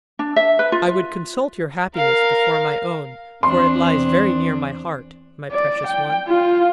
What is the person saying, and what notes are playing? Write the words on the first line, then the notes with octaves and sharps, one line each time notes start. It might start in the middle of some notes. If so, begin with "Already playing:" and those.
I would consult your happiness before my own, for it lies very near my heart, my precious one.
D4
E5
B4
F4
A#4 F5
E2 C4 D4 C6
D5
G5
F4